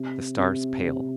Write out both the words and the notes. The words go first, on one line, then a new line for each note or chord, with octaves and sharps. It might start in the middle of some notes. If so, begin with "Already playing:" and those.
The stars pale.
Already playing: C3
C3
C3